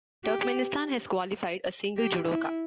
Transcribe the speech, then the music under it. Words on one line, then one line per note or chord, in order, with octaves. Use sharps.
Turkmenistan has qualified a single judoka.
G4
G4
E4